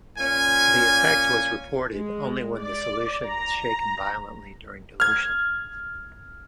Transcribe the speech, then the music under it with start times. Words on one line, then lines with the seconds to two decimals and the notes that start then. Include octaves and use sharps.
The effect was reported only when the solution was shaken violently during dilution.
0.18 A#2 C#4 G#5
1.92 G#3
2.60 D5
3.27 A#5
5.00 F6 G#6